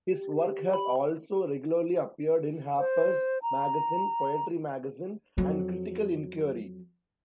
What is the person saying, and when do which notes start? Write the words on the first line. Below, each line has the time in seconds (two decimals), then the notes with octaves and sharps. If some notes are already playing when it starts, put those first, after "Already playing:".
His work has also regularly appeared in Harper's Magazine, Poetry Magazine, and Critical Inquiry.
0.11 G4
0.73 B5
2.79 C5
3.43 A#5
5.37 F2 F#3